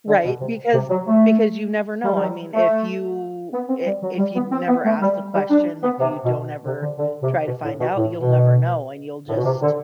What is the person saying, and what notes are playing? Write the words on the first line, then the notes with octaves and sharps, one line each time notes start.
Right, because because you never know. I mean, if you i if you'd never ask the question, if you don't ever try to find out, you'll never know and you'll just
D3
B2
C3
C3
F#3
A3
G3
G3
F#3
A3
B3
C4
G3
F#3
G3
B3
C4
B3
A3
G3
G3
D4
B3
C3
B2
C3
D3
D3
C3
B2
A2
B2
A2
B2
A2
B2
C3
D3